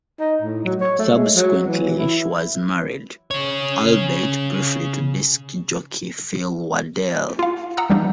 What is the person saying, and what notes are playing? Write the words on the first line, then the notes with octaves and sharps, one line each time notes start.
Subsequently, she was married, albeit briefly to disc jockey Phil Wardell.
D#4
A2
F#3
C#5
A3
G#3
F#3
E3
E4
C#3 C#5
F4 F5
F#5 A#5 D#6 E6 F#6
E3 G3 D4 D#4